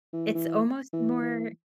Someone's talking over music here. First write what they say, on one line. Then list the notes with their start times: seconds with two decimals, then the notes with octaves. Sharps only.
it's almost more
0.13 E3
0.35 E3
0.93 E3
1.22 E3